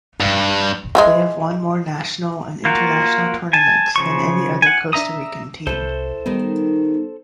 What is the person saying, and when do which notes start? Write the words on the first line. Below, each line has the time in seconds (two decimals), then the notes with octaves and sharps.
They have won more national and international tournaments than any other Costa Rican team.
0.20 G2
0.95 E3 F#3 G#3
2.65 A#3 F4 F#4 A#4
3.53 G#5 A5
3.96 C#3 F3 C#6
4.62 F#5 G#5
4.93 D4 E5 A#5 D#6 E6
5.67 C2 E4 A4 B4 C5
6.26 D#3 G3 B3 D#4